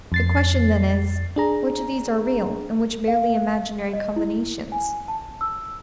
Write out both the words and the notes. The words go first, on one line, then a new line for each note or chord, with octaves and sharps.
The question then is, Which of these are real, and which barely imaginary combinations?
F2 A6 C7
D4 G#4 A#5
F5
D#5
E4
G#5
A5
E6